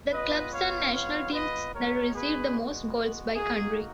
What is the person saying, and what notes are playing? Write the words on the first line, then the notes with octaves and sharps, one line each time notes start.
The Clubs and national teams That received the most goals by country.
G#3 B3 F4 B4 D#5
C#5 F5
C#5 F5
B4 D#5
G#3 B3 F#4 A#4 C#5
G#4 B4
A#3 D#4 F#4 G#4